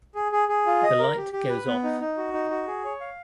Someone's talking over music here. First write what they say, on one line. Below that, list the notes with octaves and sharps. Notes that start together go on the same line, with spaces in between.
The light goes off.
G#4
G#4
G#4
F4
D#5
A#4
G4
G4
B4
B3
D#4
D#4
F#4
D#4
F#4
G#4
C#5
F5